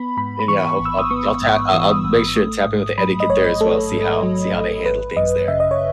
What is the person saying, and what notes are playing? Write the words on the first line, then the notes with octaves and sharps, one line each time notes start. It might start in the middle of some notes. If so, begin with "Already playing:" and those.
And, yeah, hope I'll I'll ta I'll I'll make sure to tap in with the etiquette there as well, see how see how they handle things there.
Already playing: B3 B5
G#2 B5
B5
E3 C#6
A1
E6
D#6
B3 C#6
G#2
E6
E3 D#6
A1
A3
G#2
F#3 B5
D#5
A1 C#5
A3 A4
G#2
F#3
A1
G#1 B4
F#2 D#5
C#3 E5
D#5
C#5